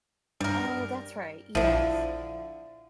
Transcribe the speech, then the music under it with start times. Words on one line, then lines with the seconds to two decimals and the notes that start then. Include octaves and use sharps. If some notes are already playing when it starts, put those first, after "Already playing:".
Oh, that's right. Yes.
0.40 G2 G3 A#4
1.55 A#1 D3 F3 E4